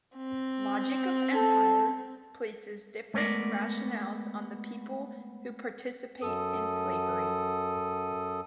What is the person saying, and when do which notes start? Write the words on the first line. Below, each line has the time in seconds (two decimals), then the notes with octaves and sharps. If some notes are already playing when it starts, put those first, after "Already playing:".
"Logic of Empire" places different rationales on the people who participate in slavery.
0.16 C4
1.35 A4
3.14 G#3 A3 B3 A#4 D5
6.22 F#2 A4 D#6